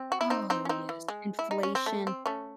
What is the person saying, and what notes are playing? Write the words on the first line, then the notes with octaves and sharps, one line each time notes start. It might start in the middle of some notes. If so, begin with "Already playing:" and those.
Oh, yes, inflation.
Already playing: C4
F#4
E4
C4 D#4
C4 D#4
C#4
C4 D#4
E3
G#3
E4
D#4
C#4
C4
A3
C4
A3 C#4